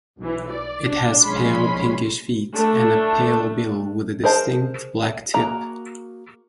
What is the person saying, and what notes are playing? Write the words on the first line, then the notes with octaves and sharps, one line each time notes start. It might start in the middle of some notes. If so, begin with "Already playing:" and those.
It has pale pinkish feet, and a pale bill with a distinct black tip.
B1 E3
D5
D4
B1 F3 G#3 C#4 B5 C6
A3 D4
G#4 A#4 C5 D#5 A5
A#3 F#4 G#4 A#5